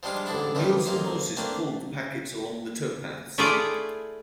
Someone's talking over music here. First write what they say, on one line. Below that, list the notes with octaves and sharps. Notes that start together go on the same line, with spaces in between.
Mules and horses pulled the packets along the towpaths.
F3 G3 G#3 D4 F4
A1 G#2 D3 D4 E4
F2 A#2 C#3 E3 G3 A3
A1 A#3 D#4 C5
A3 A#3 C4 D4
A3 E4 F4 G#4 A4 D5